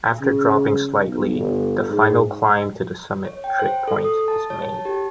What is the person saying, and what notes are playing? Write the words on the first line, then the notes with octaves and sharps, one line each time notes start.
After dropping slightly the final climb to the summit trig-point is made.
C#3
B1
G1
G#2
C#5
G5
C5
A4
D#6
A5
C#5
A5
G4